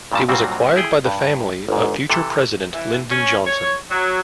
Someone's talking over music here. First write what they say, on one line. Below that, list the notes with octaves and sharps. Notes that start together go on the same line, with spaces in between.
It was acquired by the family of future president Lyndon Johnson.
G2 A#2 C#3 G3 A5
G2 A#2 F#3 G3 C4 F#4
E4 G#4 G5
G2
G1 G#2
C3 E3 A4
E3
C#4
C#5
F#3